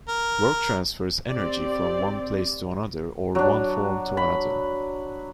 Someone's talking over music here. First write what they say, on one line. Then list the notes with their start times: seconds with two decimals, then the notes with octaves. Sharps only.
Work transfers energy from one place to another or one form to another.
0.08 A#4
1.30 C4 G4 D5
3.35 F#3 D4
4.17 B5